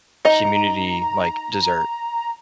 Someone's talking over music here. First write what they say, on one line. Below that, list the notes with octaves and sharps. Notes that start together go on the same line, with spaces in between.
community, like, dessert.
D#4 D#5 A#5